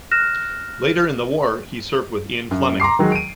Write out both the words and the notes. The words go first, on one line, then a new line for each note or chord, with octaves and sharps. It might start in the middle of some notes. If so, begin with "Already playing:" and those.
Later in the war, he served with Ian Fleming.
F6 F#6 A#6 E7
F#2
A#5 C6 D6 C7
D#3 F#3 G#3
D7 D#7